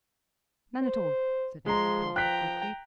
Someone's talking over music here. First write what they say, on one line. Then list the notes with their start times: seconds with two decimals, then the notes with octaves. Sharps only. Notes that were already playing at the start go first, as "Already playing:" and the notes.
"None at all," said Mr. Parker, quickly.
0.82 C5
1.66 F3 G#3 A#5 C6
2.16 G5 A#5 F#6 B6